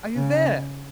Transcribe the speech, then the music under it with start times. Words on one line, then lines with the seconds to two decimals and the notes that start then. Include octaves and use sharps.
Are you there?
0.16 C#3